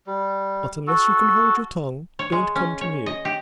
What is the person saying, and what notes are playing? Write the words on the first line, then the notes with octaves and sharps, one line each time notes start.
But unless you can hold your tongue, don't come to me.
G3
F#4 A4
C#5
G#3
C#4
C#5
D#5
G4